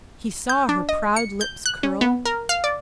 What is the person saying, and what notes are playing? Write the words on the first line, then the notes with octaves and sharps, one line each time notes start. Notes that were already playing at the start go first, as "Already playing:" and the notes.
He saw her proud lips curl.
G6
D4
D#5
C#7
G6
F#6
C#4
B3
A#4
F5
D5